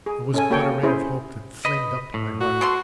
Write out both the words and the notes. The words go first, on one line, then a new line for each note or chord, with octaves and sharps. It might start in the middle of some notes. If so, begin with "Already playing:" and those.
It was but a ray of hope that flamed up in my heart.
G#4
C#4 A4 G#5
A#3 F#4 A4 C#5 G5
C#4 E4 G#4 C5
B4 D#5
A2
F#4
B2 A3 C6